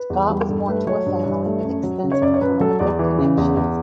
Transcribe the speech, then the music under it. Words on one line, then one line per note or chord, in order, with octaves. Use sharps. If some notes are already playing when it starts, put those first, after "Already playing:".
Scott was born to a family with extensive political connections.
Already playing: B4
E2
G3
G2 A4
A3 B4
F#3 C#5
G2
G2
A3
F#2
F#3
C#3
C#5
F#2 D5
C#5
F#2 B4
F#3 A4
E2 D5
E3
C#3
E2
E2